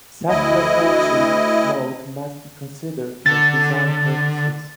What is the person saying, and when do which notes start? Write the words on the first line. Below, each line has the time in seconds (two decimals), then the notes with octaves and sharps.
Such a deflection mode must be considered for design purposes.
0.29 D2 E4 D#5
3.26 D3 A6